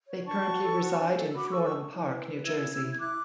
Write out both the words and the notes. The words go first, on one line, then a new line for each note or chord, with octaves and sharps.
They currently reside in Florham Park, New Jersey.
C#5
D4 A5 C#6
F#4
A4
F#4
D4
A4
F#4 B5 D6
C#6 E6
A4
C#6 E6
D4
E4
B4
B4
E4 E6 G#6
E4
E4
G#6
E4 D6 F#6